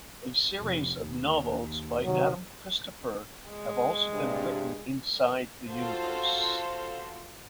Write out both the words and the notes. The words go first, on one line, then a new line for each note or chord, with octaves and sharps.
A series of novels by Adam Christopher have also been written inside the universe.
F1
D#2
C3 D#3 F#3
G#3
G2 C3
F4 F#4 A4 C5